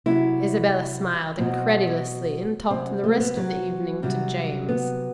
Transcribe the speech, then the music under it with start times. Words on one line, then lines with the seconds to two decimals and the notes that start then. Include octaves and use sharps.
Isabella smiled incredulously and talked the rest of the evening to James.
0.06 C3 F#3 E4
1.38 B2 F#3 C4
2.70 C3 F#3 C4
3.04 A3
3.20 B3
3.37 F#3
4.02 C3 F#3 G3
4.69 B3